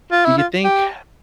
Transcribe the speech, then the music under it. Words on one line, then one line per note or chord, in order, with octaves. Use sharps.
do you think, uh,
F4
E4
F4
G4